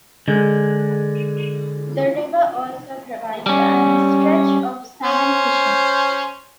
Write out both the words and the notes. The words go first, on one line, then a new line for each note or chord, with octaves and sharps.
The river also provides an stretch of salmon fishing.
D3 G#3
G3 C#4
C#4 C5